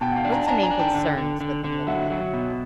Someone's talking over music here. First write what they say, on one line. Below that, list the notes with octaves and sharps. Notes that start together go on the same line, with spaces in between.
What's the main concerns with them living there?
B2 G5 A5
F#5
F5 G5
D4
G#5 A#5
A5
D4 G#5 A#5
G#5 A#5
D4
G5 A5
D3
D3
D3
D3
F#3 E5 F#5
F#3
B2